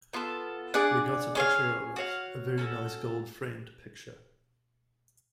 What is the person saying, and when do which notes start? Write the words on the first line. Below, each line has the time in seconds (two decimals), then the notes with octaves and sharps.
We got a picture of it, a very nice gold-framed picture.
0.13 B3 F4 A4
0.74 D4 G#4 D5 F#5
1.35 C#4 G#4 C#5 F5
1.96 F#4 C#5 F5
2.58 C#4 F#4 A4